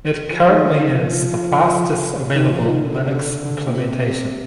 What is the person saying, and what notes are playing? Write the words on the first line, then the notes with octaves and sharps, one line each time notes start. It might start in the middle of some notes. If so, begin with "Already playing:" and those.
It currently is the fastest available Linux implementation.
F3
D#3
D3
D#3
F3
D#3
F3
D#3
D3
C3
D3
D3
A#2
C3
C3